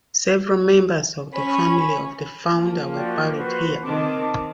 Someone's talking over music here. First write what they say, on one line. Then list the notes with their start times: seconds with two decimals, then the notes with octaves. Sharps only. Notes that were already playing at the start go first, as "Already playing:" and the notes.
Several members of the family of the founder were buried here.
1.33 C#4 B5
2.53 F3 A#3
2.93 F#4 G4 D5
3.36 F#4 B4 C5
3.83 D#3 C4 A5 D6